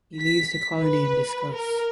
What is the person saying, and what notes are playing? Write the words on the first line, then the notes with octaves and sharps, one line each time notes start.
He leaves the colony in disgust.
B6
B4
A#4